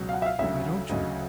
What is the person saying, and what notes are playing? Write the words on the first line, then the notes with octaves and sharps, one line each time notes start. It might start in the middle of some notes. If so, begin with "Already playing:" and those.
"Why don't you?"
Already playing: C#2 B2 F#3
F5
F#5
E5
F5
D2 C#3 F#3 E5
D2 C#3 F#3 D#5